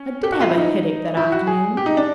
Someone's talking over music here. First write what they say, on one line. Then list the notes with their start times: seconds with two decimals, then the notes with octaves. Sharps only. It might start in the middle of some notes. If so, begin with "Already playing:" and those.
I did have a headache that afternoon.
Already playing: C#4
0.23 G4
0.32 F#4
0.40 F4
0.49 E4
0.57 D#4
1.17 E4
1.32 F#4
1.47 G#4
1.77 G4
1.86 D#4
1.97 D4